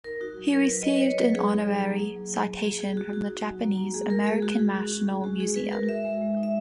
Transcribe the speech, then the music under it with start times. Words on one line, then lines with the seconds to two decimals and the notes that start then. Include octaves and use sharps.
He received an honorary citation from the Japanese American National Museum.
0.04 D#4 A#4
0.21 D#4 F#4
0.37 F#3
0.53 F#3 A#4
0.70 F#3 B4
0.82 D#5
0.86 F#4 C#5
0.96 B4
1.02 D#4 C#5
1.18 F#3 B4
1.35 D#4 G#4
1.51 D#4
1.67 F#3
1.83 A#3
1.99 D#4
2.16 F#3
2.32 F#3
2.48 A#3
2.64 F#4 G#4
2.81 F#4 G#4
2.97 F#4
3.13 A#3 F#4
3.29 D#4
3.45 F#3
3.62 A#3
3.78 A#3
3.94 G#3 G#4
4.10 G#3 A#4
4.26 G#3 G#4
4.42 G#3 F#4
4.59 G#3 G#4
4.75 C#4 F#4
4.91 C#4 F#4
5.07 C#4 G#4
5.24 G#3 F#4
5.40 D#4 G#4
5.56 G#3 B4
5.72 F#4 A#4
5.88 D#4 E5
6.05 G#3
6.22 G#3
6.37 D#4
6.43 E5